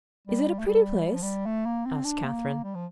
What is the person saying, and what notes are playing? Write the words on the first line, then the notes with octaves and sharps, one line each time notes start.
"Is it a pretty place?" asked Catherine.
G3
A3
G3
G3
F3
G3
A3
A#3
C4
D4
A#3
G3
F3